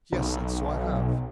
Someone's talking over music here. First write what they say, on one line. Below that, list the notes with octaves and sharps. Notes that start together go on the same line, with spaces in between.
Yes, and so I have.
B1